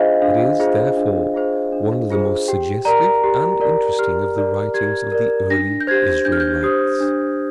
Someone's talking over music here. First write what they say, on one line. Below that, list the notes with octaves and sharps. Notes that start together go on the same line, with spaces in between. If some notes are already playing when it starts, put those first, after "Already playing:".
It is, therefore, one of the most suggestive and interesting of the writings of the early Israelites.
Already playing: D4 F4 G#4 C5 D#5 F5 G5
D4 F5
F4 G#4 C5
D4
F4 G#4 C5
D4
F4 G#4 C5
G4 G5
A#4 D5 A#5
G4
A#4 D5
G4 F6
A#4 D5
G4 G#6
A#4 D5
D4 A#6
G6
G4 C5 G#6
D4 G6
F6
G6
G4 C5 D#6
D4